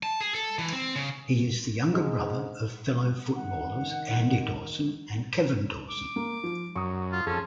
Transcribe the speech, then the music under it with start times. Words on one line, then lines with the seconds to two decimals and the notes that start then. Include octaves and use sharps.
He is the younger brother of fellow footballers Andy Dawson and Kevin Dawson.
0.03 A5
0.21 G#4
0.35 A4
0.59 E3
0.73 C4
0.96 C#3
1.94 G#2 G#3
3.35 D#3 F#5
5.89 D6
6.16 A#3
6.44 F3 F4
6.76 F#2 C#6 D#6
7.12 F4
7.27 F2 C#4 G#4 A4 C6